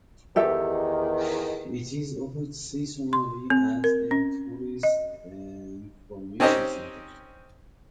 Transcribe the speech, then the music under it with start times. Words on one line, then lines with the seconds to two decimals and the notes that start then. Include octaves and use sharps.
It is open seasonally as a tourist information centre.
0.36 E2 D#3 G4 A4 E5
3.13 C6
3.50 C4
3.84 A#4
4.11 C#4
4.83 D#5
6.40 C4 C#4 D#4 G4 C5 D#5